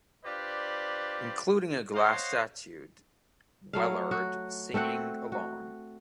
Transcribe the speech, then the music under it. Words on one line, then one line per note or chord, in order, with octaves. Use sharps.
Including a glass statue "Wellard" singing along.
D4 F4 G4 B4 C5 D5
C5 C#5 D#5 F5 F#5 C6
F#3 A3 F5
F#4
A3 C4 F#4 F#5
F#4